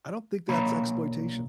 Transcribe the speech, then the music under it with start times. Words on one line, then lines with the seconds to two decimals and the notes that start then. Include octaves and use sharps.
I don't think that's exploitation.
0.48 B1 A#2 A#3 C#5 A#5 B5